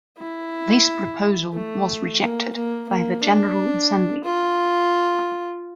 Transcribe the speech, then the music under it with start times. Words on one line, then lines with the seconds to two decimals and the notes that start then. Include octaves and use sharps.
This proposal was rejected by the General Assembly.
0.18 E4
1.53 A3
2.22 A#3
2.55 A#3
2.89 A#3
3.23 D4
4.24 F4